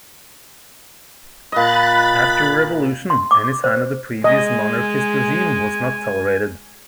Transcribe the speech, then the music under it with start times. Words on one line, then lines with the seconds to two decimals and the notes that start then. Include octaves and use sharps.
After the revolution, any sign of the previous monarchist regime was not tolerated.
1.52 A#2 D#5 B5 F#6 A6
3.10 C6
3.31 D6
3.64 C5
4.24 G#3 D#5 G#5